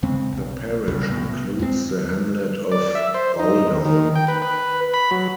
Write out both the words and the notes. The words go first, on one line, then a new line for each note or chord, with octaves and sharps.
The parish includes the hamlet of Bowldown.
F2 C#3 G#3 C4
B1
B1 F2 C#3 G3
C2 A2 B3
F2 G#3 C4
D5
E5
C5
D#4
D#3
G5
B4
B4
B5
F#3